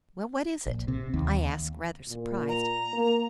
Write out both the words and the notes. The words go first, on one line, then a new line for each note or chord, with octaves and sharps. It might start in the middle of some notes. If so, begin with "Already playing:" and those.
"Well, what is it?" I asked, rather surprised.
A#1
C3
D#2
A#2
A#5
A#3